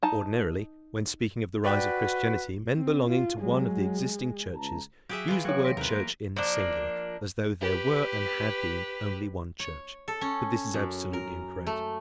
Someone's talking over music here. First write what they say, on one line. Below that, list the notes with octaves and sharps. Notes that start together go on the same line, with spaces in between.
Ordinarily, when speaking of the rise of Christianity, men belonging to one of the existing churches use the word church in the singular, as though there were and had been only one church. But this is absolutely incorrect.
D#4 A5
F#4 B4 D5 G5
C4
F4
F#3 G#3
C#2 A5 A#5
F#3 G4 G#4 E5
E3 F4
F#3 F#4 C#5 G#5 C#6
B4 C6 A#6 D7
D#2 C3 A#4 B4
A#3
F3 A#3 D4
G4 B4
C#5
A4
C#4
F#2
A#4
A3